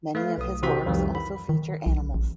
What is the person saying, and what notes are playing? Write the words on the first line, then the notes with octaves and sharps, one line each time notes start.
Many of his works also feature animals.
A3 B4 F5
B1 D#6
C3 E3 F#4 C5 G5 B6
C2 F2 D#3 E3 G3
B5
D#3
B1
A1